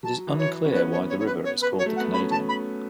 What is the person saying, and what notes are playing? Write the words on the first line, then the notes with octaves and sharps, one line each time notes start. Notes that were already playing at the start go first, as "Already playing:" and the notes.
It is unclear why the river is called the Canadian.
F#3 A5
E3
C#5
C#4
B3 B4
C#5
C#5
C#5
B4
C#5
B4
F#3
C#5
A3
F#5
B3
C#4 B5
A5
B5